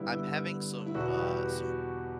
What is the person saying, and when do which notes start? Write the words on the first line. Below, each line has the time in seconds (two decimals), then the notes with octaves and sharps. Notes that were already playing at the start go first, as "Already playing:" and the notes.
I'm having some, uh some
Already playing: G2 D3 G3 B3 E4
0.11 E4
0.86 E4
0.94 E2 B2 G3 B3 F#4
1.22 G4
1.50 F#4